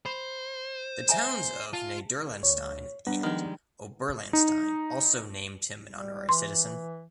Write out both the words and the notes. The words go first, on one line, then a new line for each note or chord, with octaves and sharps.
The towns of Niederlahnstein and Oberlahnstein also named him an honorary citizen.
C5 B5
E5 G#5 A#5
F4 A5
D2 C#5
G3 B3 D4 F#5
D#3 F3 G#3
D#4
G3
E3 C6